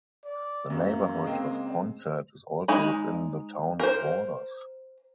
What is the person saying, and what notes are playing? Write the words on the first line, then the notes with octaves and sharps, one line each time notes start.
The neighborhood of Ponset is also within the town's borders.
D5
F#2 A#3
C#3 G#3 C4
G#3 D#4 B5
A#4 C5